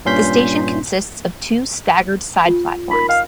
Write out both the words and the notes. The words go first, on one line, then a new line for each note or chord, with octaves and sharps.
The station consists of two staggered side-platforms.
G2 A#2 C#4 C6 G6 B6
F4
D#4 A#4 B5
D#5 F5 G5 B5